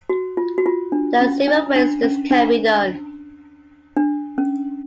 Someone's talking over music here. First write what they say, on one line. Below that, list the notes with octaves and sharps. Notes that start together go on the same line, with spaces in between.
There are several ways this can be done.
F#4
F4
F#4
F4
D4
C#4
D4
D4
C#4
D4
D4
C#4